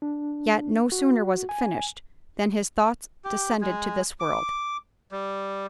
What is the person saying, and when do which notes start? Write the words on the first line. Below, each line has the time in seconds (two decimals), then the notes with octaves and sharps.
Yet, no sooner was it finished, than his thoughts descended to this world.
0.02 D4
0.92 F#4
1.49 G#5
3.24 G4
3.61 G#3
4.20 D6
5.12 G3